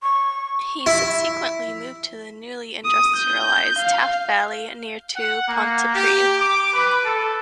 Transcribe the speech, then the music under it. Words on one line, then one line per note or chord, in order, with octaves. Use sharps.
He subsequently moved to the newly industrialised Taff Valley near to Pontypridd.
C#6
E4
D#6
G6
F5
F#5
A#3
G4
D6
B4
A4